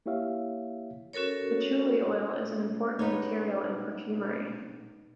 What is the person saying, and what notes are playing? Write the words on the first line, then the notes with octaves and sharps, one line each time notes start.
Patchouli oil is an important material in perfumery.
A#3 E4 G4 C#5 E5 F5
C#4 F#4 A4 A#4 C#5
B3 D#4 C#5